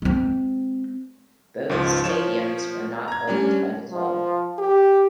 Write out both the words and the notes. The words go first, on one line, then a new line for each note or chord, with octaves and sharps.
Both stadiums are not owned by the club.
G#3 C4
C#2 G#2 F3
F3 C#5 E7
A#5 G#6
G3 C#4 D4
F3
G4